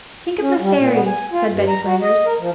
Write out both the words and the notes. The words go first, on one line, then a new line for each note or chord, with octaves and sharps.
"Think of the fairies," said Betty Flanders.
C#4
G3
A#2
B3
G#5
F4
G2
A#5
F#4
D#5
A#4
F3